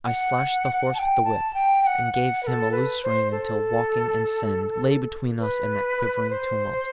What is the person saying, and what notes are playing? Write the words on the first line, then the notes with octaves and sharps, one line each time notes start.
I slashed the horse with the whip, and gave him a loose rein until Woking and Send lay between us and that quivering tumult.
F#5
A5
G5
A5
G5
G5
F#5
F#5
B4
A4
B4
C5
A4
B4
C5